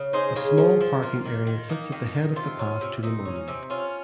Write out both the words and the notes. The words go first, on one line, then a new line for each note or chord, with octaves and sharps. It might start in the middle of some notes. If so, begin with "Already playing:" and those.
A small parking area sits at the head of the path to the monument.
Already playing: C#3
D#4 G#4 C5
C#3 F4 G#4
F3
F3
A#3 F4
D#3
D#3
A#3 D#4
D#3
D#3
C3 F4
C#4
C3
C3 D#4
C#4
C3
C#4 F4